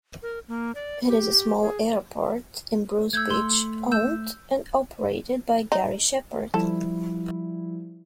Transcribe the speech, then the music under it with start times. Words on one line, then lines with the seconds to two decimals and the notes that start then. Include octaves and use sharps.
It is a small airport in Bruce Beach owned and operated by Garry Shepherd.
0.22 A#4
0.48 A#3
0.75 D5
1.08 G4
1.62 G#4
3.13 A3 E6 G6 G#6
3.31 C6 E6
3.91 E6 G6 E7
5.72 D#4
6.54 F3 G3 E4 A4